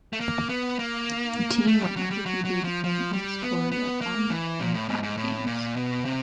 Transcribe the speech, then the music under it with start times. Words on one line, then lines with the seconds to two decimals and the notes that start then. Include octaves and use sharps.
The team went undefeated and unscored upon in five games.
0.13 A3
0.20 A#3
0.49 B3
0.79 A#3
1.67 A3
1.81 G3
1.96 F#3
2.11 G3
2.26 F#3
2.45 F#3
2.64 F3
2.84 F3
3.13 G3
3.42 B3
3.72 B3
4.01 A#3
4.30 E3
4.60 A#2
4.74 A2
4.89 G#2
5.03 G#2
5.17 A2
5.47 A#2
5.76 B2
6.05 C3